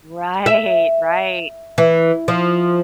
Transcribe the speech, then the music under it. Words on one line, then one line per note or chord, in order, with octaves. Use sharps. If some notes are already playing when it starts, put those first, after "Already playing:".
Right. Right.
E5
E3
F3